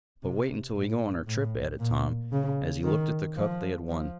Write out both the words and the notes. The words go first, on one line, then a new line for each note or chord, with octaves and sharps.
"But wait until we go on our trip," added Tom, as he looked at the cup they had won.
C3
A2
A2
A#2
C#3
D#3
F3
F3